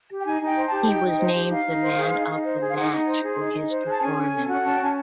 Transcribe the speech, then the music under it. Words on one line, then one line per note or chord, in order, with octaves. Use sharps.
He was named the Man of the Match for his performance.
G4
G5
D#4 G#5
D#4
G5
C5
G4 A5
D#4 G5
D#4
C5
G4
D#4 F5
D#4
C5
G#4
D#4
D#4
C5
G#4
F5
D#4 F#5
D#4
C5
G#4
D#4
D#4
C5
G#4 A5
C#4 G#5
C#4
A4
F#4
C#4 A5
G5
C#4 G#5